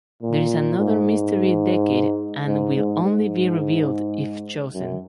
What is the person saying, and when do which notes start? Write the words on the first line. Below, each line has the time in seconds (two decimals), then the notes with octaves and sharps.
There is another mystery decade and will only be revealed if chosen.
0.22 A#2
0.78 G#2
2.47 G#2
2.76 G#2
3.04 G#2
4.73 F#2